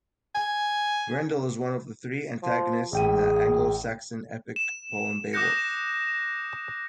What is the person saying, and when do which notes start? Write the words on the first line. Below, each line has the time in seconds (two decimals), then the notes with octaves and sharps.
Grendel is one of three antagonists in the Anglo-Saxon epic poem Beowulf.
0.35 G#5
2.43 F3
2.93 A1 G#4 G5 D#7
4.56 E7
5.33 D6 D#6 F#6 G6 A#6 C#7